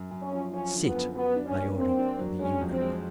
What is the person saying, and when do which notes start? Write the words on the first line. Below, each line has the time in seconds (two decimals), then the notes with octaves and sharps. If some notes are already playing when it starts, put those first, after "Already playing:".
"Sit," I ordered the eunuch.
Already playing: F#2
0.11 F#2
0.22 C#4
0.32 F3
0.52 F3 C#4
0.74 D3
0.84 B3
0.95 F#2
1.15 F#3 B3
1.36 D4
1.46 C#4
1.56 A#3
1.77 A#3 C4
1.99 D4
2.19 F#3
2.39 G#3 C#4
2.61 F2
2.71 C4
2.81 G#3